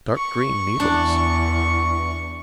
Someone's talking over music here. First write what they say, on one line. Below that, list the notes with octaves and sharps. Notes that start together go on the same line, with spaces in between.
Dark-green needles!
C#6
E2 D4